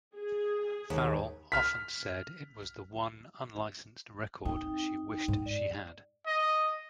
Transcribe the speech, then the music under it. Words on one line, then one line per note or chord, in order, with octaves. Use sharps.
Farrell often said it was the one unlicensed record she wished she had.
G#4
D#2
F6 B6
C4 D#4 G5
G#2
D5
D#5